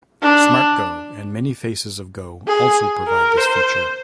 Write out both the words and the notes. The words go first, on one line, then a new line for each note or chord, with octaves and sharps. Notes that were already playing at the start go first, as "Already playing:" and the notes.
SmartGo and Many Faces of Go also provide this feature.
D4
G#4
A#4
C5